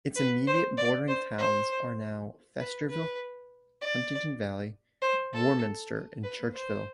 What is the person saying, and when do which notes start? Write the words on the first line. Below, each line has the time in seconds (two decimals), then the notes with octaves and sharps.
Its immediate bordering towns are now Feasterville, Huntingdon Valley, Warminster, and Churchville.
0.16 B4
0.47 C5
0.77 D5
1.08 C5
1.38 C5
2.59 B4
2.90 B4
3.82 D5
5.02 C5
5.33 A4
6.24 B4
6.54 C5